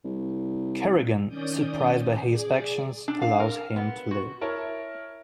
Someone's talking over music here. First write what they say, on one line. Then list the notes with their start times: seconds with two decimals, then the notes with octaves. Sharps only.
Kerrigan, surprised by his actions, allows him to live.
0.04 C2
1.28 D#3 C#4 D5 D#6 G6
2.26 G#4 D5
3.08 D4
3.22 F5
3.40 A#4
3.76 B3
4.11 F#4
4.41 E4 A#4 C#5 A5